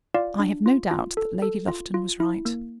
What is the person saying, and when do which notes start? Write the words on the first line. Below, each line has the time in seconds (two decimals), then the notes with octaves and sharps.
I have no doubt that Lady Lufton was right.
0.14 F4 D5 F5
0.39 D4
0.66 F4
0.91 F4
1.17 A4
1.42 A4
1.68 F4
1.94 F4
2.20 E4
2.45 A#3